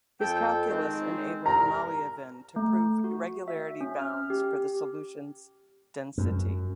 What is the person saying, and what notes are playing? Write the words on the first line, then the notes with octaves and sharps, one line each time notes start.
His calculus enabled Malliavin to prove regularity bounds for the solution's density.
F2 A4 G5
D#3 G#3 C4
C2 A#4 A#5
A3
F#4
E5
C#4
F6
G4
F#2